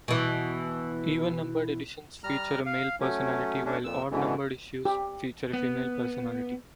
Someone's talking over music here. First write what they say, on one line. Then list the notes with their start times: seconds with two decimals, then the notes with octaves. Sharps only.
Even-numbered editions feature a male personality, while odd-numbered issues feature a female personality.
0.08 B2 E3
2.24 G3 A#5 F6
2.66 F5
3.00 F#3 A3 C#4
3.65 A3 C#4 D4
3.84 F2 A#2 E6
4.11 G#2 B2 D3 E3
4.85 G4
5.53 B3